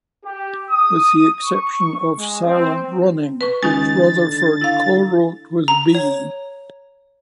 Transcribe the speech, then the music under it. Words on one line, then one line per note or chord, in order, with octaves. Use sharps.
With the exception of "Silent Running", which Rutherford co-wrote with B.
G4
D#6
C#6
G#3
C4
B4 C#6
C#2 D#3 D#4 G#5 A6
D3
E4 F5
A#5
C#5